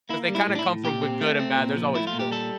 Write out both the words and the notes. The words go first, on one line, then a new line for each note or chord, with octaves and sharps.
'Cause they kinda come from w good and bad. There's always good.
A#3 E4
G3
E4
A2
D4
E4
A2
A#2 G4
C4
A3
C4
A#2
F3
A3 E4
F4
A#2
G4
G3 A4